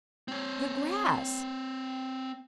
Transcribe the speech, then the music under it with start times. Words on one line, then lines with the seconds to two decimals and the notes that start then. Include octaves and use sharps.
"The grass."
0.28 C4 C#5